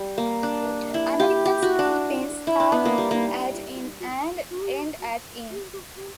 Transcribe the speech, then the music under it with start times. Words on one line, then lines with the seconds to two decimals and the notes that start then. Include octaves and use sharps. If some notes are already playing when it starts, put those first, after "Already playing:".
American split pins start at in and end at in.
Already playing: G3
0.18 A#3
0.43 D4
0.94 E4
1.20 G4
1.45 G4
1.62 F#4
1.79 D4
2.47 E4
2.60 D4
2.72 B3
2.85 A#3
2.98 G3
3.11 A#3